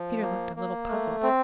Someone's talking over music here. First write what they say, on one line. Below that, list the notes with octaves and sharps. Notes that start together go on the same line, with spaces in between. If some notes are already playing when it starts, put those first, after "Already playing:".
Peter looked a little puzzled.
Already playing: F3
A#3
A#3
A3
C4